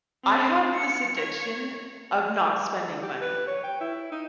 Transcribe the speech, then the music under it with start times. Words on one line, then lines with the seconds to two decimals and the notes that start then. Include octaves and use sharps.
I have this addiction of not spending money.
0.24 C4
0.76 C#7
1.16 C#5
2.89 D3
3.03 G4
3.21 B4
3.48 C#5
3.64 G5
3.81 E4
4.12 D#4